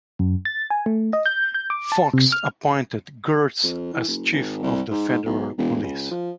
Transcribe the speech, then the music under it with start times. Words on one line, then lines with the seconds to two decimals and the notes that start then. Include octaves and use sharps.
Fox appointed Gertz as chief of the Federal Police.
0.19 F#2
0.45 A6
0.70 G#5
0.86 A3
1.13 D#5
1.26 G6
1.54 G6
1.70 D6
1.92 A5
2.13 C3
2.32 F6
3.63 F2
3.93 E3
4.08 F#1
4.32 G#1
4.63 C2
4.91 G#2
5.08 G#2
5.26 B1
5.58 E1
5.83 C#2
6.11 F3